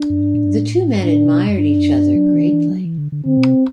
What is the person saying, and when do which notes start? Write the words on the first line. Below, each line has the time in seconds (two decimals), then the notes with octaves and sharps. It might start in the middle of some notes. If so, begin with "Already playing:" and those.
The two men admired each other greatly.
Already playing: D4
0.10 F#2
0.20 G2
0.34 A2
0.45 G2
0.55 A2
0.95 G2
1.03 A2 D4
1.25 C3
1.32 B2
1.49 F#2
1.59 G2 D4
1.78 F#2
1.96 G2
2.15 F#3
2.34 E3
2.53 E3
2.71 F#3
2.85 E3
2.98 D3
3.12 D3
3.25 D3 C4
3.37 B2
3.45 C3